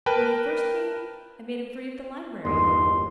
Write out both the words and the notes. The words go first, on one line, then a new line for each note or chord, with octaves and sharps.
When he first came, I made him free of the library.
A#4 B4 G5 A5
G1 E2 G#3 A#3 D#4 C6